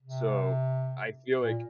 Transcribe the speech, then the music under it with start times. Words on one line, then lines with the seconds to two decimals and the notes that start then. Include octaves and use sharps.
So, I feel like
0.02 C3
1.43 A#2